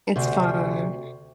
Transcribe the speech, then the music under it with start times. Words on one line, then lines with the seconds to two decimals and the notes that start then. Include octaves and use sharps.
It's fine.
0.16 D2 C3